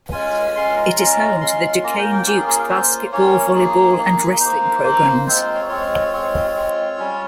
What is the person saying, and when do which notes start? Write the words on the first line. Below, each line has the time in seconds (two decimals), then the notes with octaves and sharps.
It is home to the Duquesne Dukes basketball, volleyball and wrestling programs.
0.12 G#3 C#4 F4 G#5
0.55 G#3 C#4 F4 C6
0.77 A#5
0.97 G#3 C#4 F4
1.41 G#3 C#4 F4 C6
1.83 A#3 C#4 F4 A#5
1.98 G5
2.12 G5
2.26 A#3 C#4 F4 G5
2.37 G#4
2.47 G#4
2.59 A#4
2.69 A#3 C#4 F4 C5
3.12 A#3 C#4 F4 C#5
3.55 A#3 D#4 G#4
3.98 A#3 D#4
4.40 A#3 D#4 C5
4.84 A#3 D#4
5.26 G#3 C4 F4 C5
5.41 C5
5.55 C#5
5.69 G#3 C4 F4 C#5
6.13 G#3 C4 F4
6.54 G#3 C4 F4
6.97 G3 C#4 F4